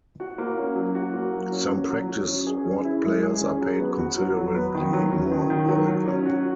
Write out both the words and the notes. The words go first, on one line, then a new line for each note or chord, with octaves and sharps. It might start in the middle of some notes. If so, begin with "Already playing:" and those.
Some practice squad players are paid considerably more, however.
F#4
A#3
C#4
F#3
F#4
A#3
F#3
C#4
F#4
F#3
F#3
C#4
G#4
C#4
E4
G#3
G#4
C#4
F#3
B3
F#4
F#3
F#3
B3
D#3
F#3
C#4
D#3
D#3
F#3
F#3
C#4
F#4